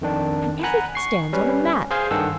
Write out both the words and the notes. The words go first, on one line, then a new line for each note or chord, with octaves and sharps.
And everything stands on a mat.
F2 D#3 D4
F#5 G#5 A#5 B5 F#6
C#6 C7
G3 C#4 B4
G#4 C5 F5 G#5
G2 D#3 A4 F#5 E6